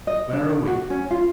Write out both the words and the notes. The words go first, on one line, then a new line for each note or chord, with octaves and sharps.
Where are we?
D#5
D4
F#4
C#4
F4